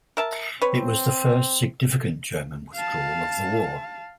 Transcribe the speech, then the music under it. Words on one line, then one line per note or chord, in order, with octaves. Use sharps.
It was the first significant German withdrawal of the war.
A#4 E5 A5
C4 B4 C#5
F5 A5